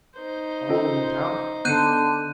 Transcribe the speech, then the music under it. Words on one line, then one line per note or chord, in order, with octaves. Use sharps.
All went out.
D#4 C5
C#4 F4 A4
D3 B3 F#6 G6 C7 C#7 D#7